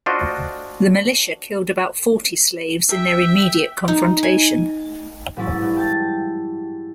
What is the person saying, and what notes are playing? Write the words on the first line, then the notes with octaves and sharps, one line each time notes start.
The militia killed about forty slaves in their immediate confrontation.
D4 F4 F#4 C5 D#5
E5 G5
D#4
G#5
A1 G#2 F#3 C#4 E4 A6
G2
G5 A5 G6 A6